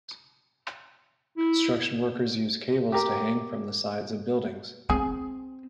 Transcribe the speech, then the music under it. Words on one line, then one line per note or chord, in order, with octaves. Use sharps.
Construction workers use cables to hang from the sides of buildings.
E4
G4 A#4
C4 G#4